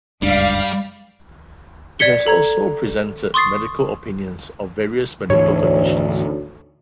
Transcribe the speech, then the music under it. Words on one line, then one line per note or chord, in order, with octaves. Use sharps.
It has also presented medical opinions of various medical conditions.
F#1 C#2 G2 G3 D4 D5 F5
D5 G#6 B6 C#7 G7
A4 A#5 G#6
C6 C#6 D#6 A6 C7
D2 G#2 E3 C#5